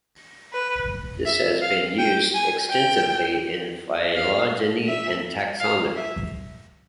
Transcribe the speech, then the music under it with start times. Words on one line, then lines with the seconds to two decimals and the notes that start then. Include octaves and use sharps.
This has been used extensively in phylogeny and taxonomy.
0.53 B4
1.25 E5
1.62 F5
1.98 G5
2.34 G#5
2.70 G5
4.15 F5
4.87 E5
5.60 F5
5.96 E5